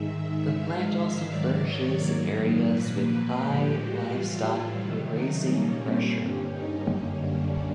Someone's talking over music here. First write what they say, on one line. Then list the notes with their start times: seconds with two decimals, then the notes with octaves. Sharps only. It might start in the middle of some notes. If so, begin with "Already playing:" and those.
The plant also flourishes in areas with high livestock grazing pressure.
Already playing: G#2 D#3 G#3 E5
0.24 E5
0.59 G#2 D#3 G#3 F5
0.94 E5
1.29 G#2 D#3 F#3 D5
1.64 C#5
1.98 G#2 D#3 F#3 A#3
2.68 A#2 F3 A#3 B4
3.03 B4
3.38 A2 F3 G#3 G4
3.73 F#4
4.08 A2 E3 G3 F4
4.43 E4
4.77 C3 D#3 F#3 A3
5.12 D#4
5.47 A#2 G3 A#3 C#4
5.81 C4
6.17 G2 D3 G3 C#4
6.52 D#4
6.86 F#2 D3 G3 A#3 C#4
7.21 D4